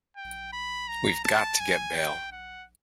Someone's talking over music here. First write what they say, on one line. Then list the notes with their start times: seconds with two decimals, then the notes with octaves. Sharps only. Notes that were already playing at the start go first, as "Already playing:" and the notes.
We've got to get bail.
0.16 G5
0.52 B5
0.88 A#5
1.24 A5
1.60 G#5
1.95 G5
2.32 F#5